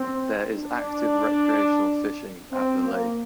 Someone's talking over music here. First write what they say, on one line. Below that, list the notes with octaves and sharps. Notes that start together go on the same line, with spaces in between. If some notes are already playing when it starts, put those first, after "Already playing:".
There is active recreational fishing at the lake.
Already playing: C4
D4
C4
A#3